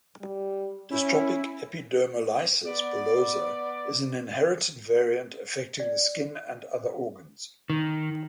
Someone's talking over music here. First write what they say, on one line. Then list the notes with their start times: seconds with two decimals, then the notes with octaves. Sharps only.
Dystrophic epidermolysis bullosa is an inherited variant affecting the skin and other organs.
0.21 G3
0.91 C#4 E4
2.67 B3 D5
5.80 D5
7.70 D#3